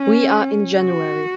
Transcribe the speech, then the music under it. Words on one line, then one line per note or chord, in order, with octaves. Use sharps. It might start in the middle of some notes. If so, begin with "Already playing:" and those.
We are in January.
Already playing: C#4
F#4